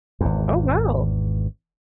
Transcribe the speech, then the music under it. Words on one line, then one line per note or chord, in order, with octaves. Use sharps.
Oh, wow.
G#1 E2